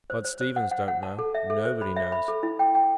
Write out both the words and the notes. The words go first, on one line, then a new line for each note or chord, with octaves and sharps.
Bud Stevens don't know--nobody knows.
C5
C5
C5
F#5
F#5
F#5
A5
A4
E5
A4
C5
B5
E5
B5
A4
E4
G5
G5